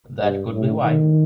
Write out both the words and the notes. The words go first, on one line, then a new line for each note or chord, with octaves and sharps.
That could be why.
G2
A2
D#3